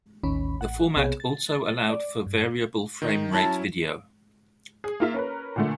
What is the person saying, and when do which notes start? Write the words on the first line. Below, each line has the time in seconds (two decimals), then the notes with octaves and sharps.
The format also allowed for variable frame rate video.
0.23 A1 D#2 D#3 C#4 B5
0.60 A1 F#5
0.96 B1 C3 B3 G#4 C#5
1.20 A6
1.90 D5
2.26 G2
3.02 D#3 D#4
3.33 F#3 C#4 E4 A5
4.84 G#4
5.00 A#3 F4 E5
5.14 C#4 A#4 B4
5.56 A#2 D3 A3